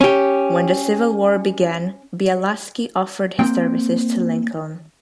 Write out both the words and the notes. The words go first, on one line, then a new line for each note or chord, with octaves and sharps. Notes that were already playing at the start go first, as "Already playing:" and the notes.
When the Civil War began, Bielaski offered his services to Lincoln.
C#4 G4
A#3 C4 G5